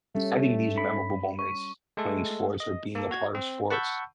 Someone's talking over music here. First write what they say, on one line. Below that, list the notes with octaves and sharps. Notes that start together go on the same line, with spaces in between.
having these memorable moments playing sports or being a part of sports,
G3 A3 C#4
B5
C#6
G#3 A3 A4
D#5
A#3 A4
F#4 G#6
C4
F#5 A5 B5 C#6 E6 G6